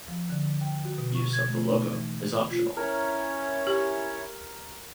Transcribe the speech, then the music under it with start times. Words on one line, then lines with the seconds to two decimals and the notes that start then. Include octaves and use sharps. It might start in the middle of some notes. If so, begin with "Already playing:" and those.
Use of the logo is optional.
0.08 F3
0.29 D3
0.61 G5
0.85 F#4
0.98 B2
1.15 C#6
1.33 G#6
1.49 A3
1.70 D#4
1.93 E3
2.50 F4
2.77 C#4 E4 A#4 C#5
3.67 G4